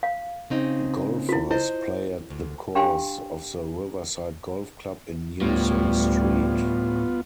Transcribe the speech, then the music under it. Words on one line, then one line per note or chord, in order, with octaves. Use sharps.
Golfers play at the course of the Riverside Golf Club on Newsom Street.
F5
C#3 C4 D#4
E4 F4
E4 C5 D#5
D2
D4 G4 F5 G5 G#5 C6
D2 A2 G3 B3 F4